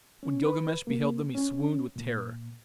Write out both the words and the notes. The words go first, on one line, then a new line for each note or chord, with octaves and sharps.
When Gilgamesh beheld them he swooned with terror.
C#4
B4
A#3
C#4
A#2